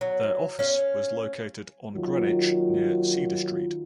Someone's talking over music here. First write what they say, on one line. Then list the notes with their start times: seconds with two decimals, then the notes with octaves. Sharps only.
Their office was located on Greenwich near Cedar Street.
0.01 F#3
0.59 C#4 F5
1.95 D#2 D#3 F#3 F4